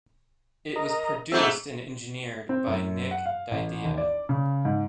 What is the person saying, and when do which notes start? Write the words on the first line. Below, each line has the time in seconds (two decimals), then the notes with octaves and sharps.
It was produced and engineered by Nick Didia.
0.76 A#4 D#5 A#5
1.32 G#2 A3 C4 E5 E6
2.49 C4
2.67 F#2
3.11 F#5
3.26 F5
3.51 A1
3.85 D#2
3.98 D5
4.29 C#3
4.65 G#2